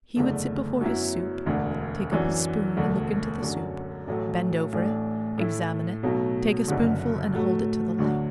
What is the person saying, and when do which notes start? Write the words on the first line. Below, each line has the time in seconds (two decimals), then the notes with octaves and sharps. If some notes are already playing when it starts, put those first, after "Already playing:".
He would sit before his soup, take up his spoon and look into the soup, bend over it, examine it, take a spoonful and hold it to the light.
0.16 F#1 E2 D3 A3
0.81 F#2 F#3 B3 E4
1.46 E1 D2 D3
2.11 F#2 E3 D4 F#4
2.77 E1 D2 D3 A3
3.42 F#2 D3 F#3
4.07 A1 A2 F#3 A3
4.72 A1 A2 A3 D4
5.38 A2 A3 E4
6.03 B1 B2 F#3 A3
6.68 F#1 F#2 D3
7.33 A2 F#3 A3 F#4
7.99 D2 D3 F#3